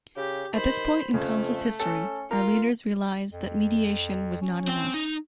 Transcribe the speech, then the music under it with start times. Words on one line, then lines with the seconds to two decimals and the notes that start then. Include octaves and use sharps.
At this point in Council's history our leaders realized that mediation was not enough.
0.17 C#3 G4
0.55 D#3 C5 B5
1.14 F2 C#3 A3
1.80 C#4 A4
2.31 F4 A#4 A#5
3.32 F2
4.42 C#4
4.67 C4 G5
4.94 D#4